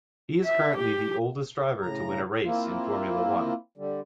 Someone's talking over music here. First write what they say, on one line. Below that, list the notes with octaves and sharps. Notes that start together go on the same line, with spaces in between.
He is currently the oldest driver to win a race in Formula One.
E5
G4
A2 C#3 A#5
A#3 C4 E4 F4
D3 G3